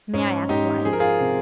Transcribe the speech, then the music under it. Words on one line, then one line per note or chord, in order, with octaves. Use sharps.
"May I ask what?"
G#2 C#4
G#2 D#4 G4
F3 G#4
A#4
F4 G#4
C3